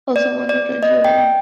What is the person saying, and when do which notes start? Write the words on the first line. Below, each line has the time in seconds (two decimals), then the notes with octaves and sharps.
Also one daughter, Giovani.
0.16 D5
0.49 D5
0.83 D#5
1.04 G5